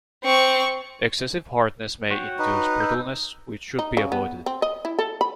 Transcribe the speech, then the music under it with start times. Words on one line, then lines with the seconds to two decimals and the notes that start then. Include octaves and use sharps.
Excessive hardness may induce brittleness, which should be avoided.
0.23 C4 C#6
2.11 F#4 C#5 G5
2.39 D#4 B4
2.80 E6 G6
3.79 D#4
3.97 C#3
4.12 B3
4.46 C4
4.62 D#5
4.85 E4
4.99 A4
5.21 B5